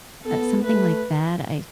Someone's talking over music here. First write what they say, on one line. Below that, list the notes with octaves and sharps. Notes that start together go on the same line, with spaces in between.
uh, something like that, I
B3 A4
A3 B4